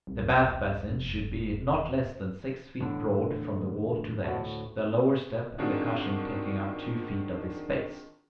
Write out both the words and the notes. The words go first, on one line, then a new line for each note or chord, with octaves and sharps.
The bath basin should be not less than six feet broad from the wall to the edge, the lower step and the "cushion" taking up two feet of this space.
C2
E2
F1
E2 A2 D3
D2 A2 F#4
D#3 C4 D4 F4 F#4 G#4